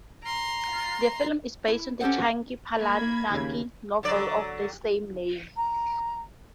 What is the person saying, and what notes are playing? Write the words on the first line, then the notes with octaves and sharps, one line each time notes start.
The film is based on the Chuck Palahniuk's novel of the same name.
A#5 C6
E4
C#4 G4 A4 C5 F#5
A#3 B5 G#6
D#2 C#3
D3 F#3 D5
A#5